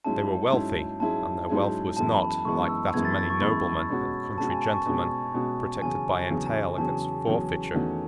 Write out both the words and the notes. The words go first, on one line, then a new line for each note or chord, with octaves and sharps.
They were wealthy; and their wealth was not, like that of many noblemen and country gentlemen, protected by entail against forfeiture.
G#2 F#3 C#4 E4 G#4 A5
G#2 F#3 C#4 E4 G#4
G#2 F#3 C#4 E4 G#4 A5
G#2 F#3 C#4 E4 G#4
F#2 E3 G#3 B3 A5
B5
A5
F#2 E3 G#3 B3 C#6
E6
F#2 E3 G#3 B3 G#6
A6
A6
C#6
F#2 E3 G#3 B3 B5
B2 G#3 C#4 F#4
B2 G#3 C#4 F#4 A5
G#5
A5
C#6
B2 G#3 C#4 F#4
B2 G#3 C#4 F#4
E2 C#3 F#3 C#4 G#5
E2 C#3 F#3 C#4
E2 C#3 F#3 C#4 A5
E2 C#3 F#3 C#4
E2 D#3 A3 C#4 F#4